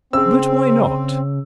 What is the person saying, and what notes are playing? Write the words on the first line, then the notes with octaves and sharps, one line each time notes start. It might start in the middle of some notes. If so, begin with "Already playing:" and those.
"But why not?"
C#3 C4 G#4 C5 E6